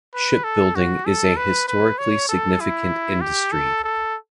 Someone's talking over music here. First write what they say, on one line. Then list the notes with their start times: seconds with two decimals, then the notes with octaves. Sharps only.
Shipbuilding is a historically significant industry.
0.14 B4
0.44 A4
0.75 F#4
1.06 A4
1.37 B4
1.68 B4
1.98 C#5
2.29 A4
2.60 E4
3.21 G4
3.52 A4
3.84 A4